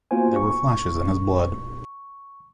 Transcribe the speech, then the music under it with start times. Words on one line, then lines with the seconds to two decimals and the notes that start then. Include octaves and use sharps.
There were flashes in his blood.
0.11 A#3 B3 F4 F#4 C5 G#5
0.36 C#6